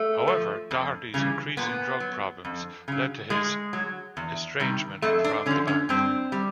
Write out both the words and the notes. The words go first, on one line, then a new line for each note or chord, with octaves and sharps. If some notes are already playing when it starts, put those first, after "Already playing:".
However, Doherty's increasing drug problems led to his estrangement from the band.
Already playing: A3
F3
F2
C#3 E3 G3
A#2 B3
F#3
F2
C#3 F#3
A2 G#3
F#3
E2
C3 D#3 G3
F2 A3
D4
D3 F3 C#4
C#4
G2 C4
G3